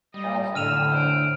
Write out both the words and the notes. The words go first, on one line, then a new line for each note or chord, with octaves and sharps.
awesome guy,
G3 D#5
A2 D3 E6 F6 D#7 F7
C5 D7